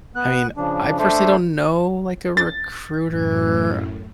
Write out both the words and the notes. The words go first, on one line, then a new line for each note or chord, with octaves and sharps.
I mean, I personally don't know, like, a recruiter
B3 F#6
C#3 F3 D4
A3 D4 A4 C5 E5
A6
F#2 A2